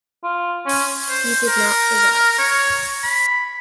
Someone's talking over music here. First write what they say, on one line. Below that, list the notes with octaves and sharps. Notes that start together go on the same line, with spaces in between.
He did not survive.
F4
C#4
C5
A#4
C#5
B5